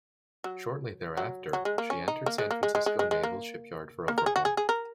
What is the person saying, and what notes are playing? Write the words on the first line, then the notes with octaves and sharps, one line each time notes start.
Shortly thereafter, she entered San Francisco Naval Shipyard for overhaul.
F#3
F#3
F#3
G#3
A#3
C#4
D#4
A#3
G#3
A#3
G#3
G#3
G#3
G#3
G#3
A#3
A#3
A#4
G#4
F#4
G#4
G#4
A#4